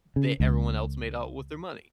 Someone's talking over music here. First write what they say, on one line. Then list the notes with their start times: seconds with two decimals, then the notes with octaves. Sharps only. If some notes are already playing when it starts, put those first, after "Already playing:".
They everyone else made out with their money.
0.16 C#3
0.40 C#2